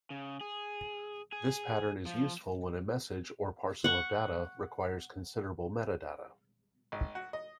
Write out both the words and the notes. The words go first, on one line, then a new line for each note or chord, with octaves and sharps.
This pattern is useful when a message, or parcel of data, requires considerable metadata.
C#3
G#4
G#4
F3
F#5 C#6
G#1
F#4
D#5